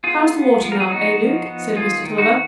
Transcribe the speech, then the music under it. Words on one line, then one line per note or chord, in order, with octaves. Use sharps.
"How's the water now, eh, Luke?" said Mr. Tulliver.
B3 F4 G#4
B3
F3
A#4
G#4
B3 D#4 F#4
F3
B3
D#3 F4 G#4
D#3
D#4 F#4